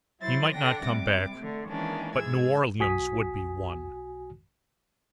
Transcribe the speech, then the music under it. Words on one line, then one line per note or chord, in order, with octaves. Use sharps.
He might not come back; but New Orleans would be won.
F#3 E4 C5 A6
D3 D4 D5 F#5 G5 A#6
C3 G3 D6
D3 A3
D#3 E3 G#3 A#3 C#4 D4
G#2 G#4 E6 G#6
B1 F#4 G#5 D#6 B6